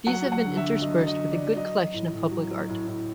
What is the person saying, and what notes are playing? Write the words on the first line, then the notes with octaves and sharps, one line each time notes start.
These have been interspersed with a good collection of public art.
F#3 F#5
F#3
F#5
D3
E5
D3
F#3 D#5
F#3
D#5
D3
D5
D3
D5
F#3 D#5
F#3
A2
A2
F#3
F#3
A2
A2